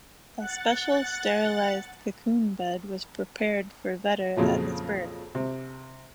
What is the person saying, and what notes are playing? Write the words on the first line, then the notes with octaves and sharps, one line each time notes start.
A special sterilized cocoon bed was prepared for Vetter at his birth.
F#5 F#6 A6
F2 A#2 C#3 F3 F#3
C3